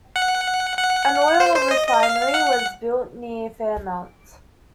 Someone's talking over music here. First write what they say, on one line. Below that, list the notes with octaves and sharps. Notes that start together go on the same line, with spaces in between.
An oil refinery was built near Fairmont.
F#5
F#5
C5
C5
D#5
D#5
F5
F#5